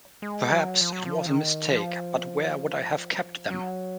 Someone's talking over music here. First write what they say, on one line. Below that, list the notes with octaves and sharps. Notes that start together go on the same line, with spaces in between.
Perhaps it was a mistake, but where would I have kept them?
G#3
F#3
F3
F#3
F3
D#3
F3
F#3